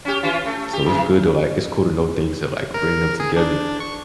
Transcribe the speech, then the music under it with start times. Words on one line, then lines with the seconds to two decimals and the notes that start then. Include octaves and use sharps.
So, it's good to, like it's cool to know things that, like, bring them together.
0.05 C#4 G4
0.23 E3 C#4 F4
0.46 A3
0.73 G4
0.86 C3 E3
2.74 A#4
3.20 G#4
3.37 D4
3.80 C#6